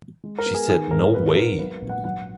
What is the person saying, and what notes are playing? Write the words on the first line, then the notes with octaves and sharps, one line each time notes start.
She said No way!
G#3
A#4
B3
G#4
D#3 G#4
G#1 A#4
B3 B4
G#2 A#4
F#3 B4
A#1
F#5
F#3 F#5